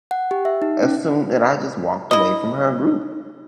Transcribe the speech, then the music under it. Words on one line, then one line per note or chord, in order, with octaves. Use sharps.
assumed that I just walked away from her group
F#5
G4
E5
D#4
C#4
E4 D#5